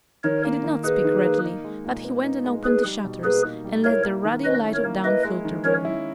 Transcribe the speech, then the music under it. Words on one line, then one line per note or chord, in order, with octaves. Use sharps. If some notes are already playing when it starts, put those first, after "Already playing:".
He did not speak readily; but he went and opened the shutters, and let the ruddy light of dawn flood the room.
D#3 A#4 C#5
A#3
D#3
D#4 G#4 B4
D#3
A#3
D#4
G#3
A#2
B3
D#4
G#3
D#4 G#4 B4
G3
B2
A#3 G#4 B4
D#4
G3
E4 A#4 C#5
A#3
D#3
C#4 B4 D#5
E4
A#4 C#5
A#3
E4 B4 D#5
G#3
D#3
C#4 A#4 C#5
E4